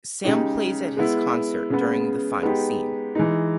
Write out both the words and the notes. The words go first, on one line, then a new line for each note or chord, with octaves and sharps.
Sam plays at his concert during the final scene.
C#3 G#3 D#4 G4
G#3 B3 E4
C#3 G#3 B3
G#3 B3 D#4 G4
E3 G#3 D#4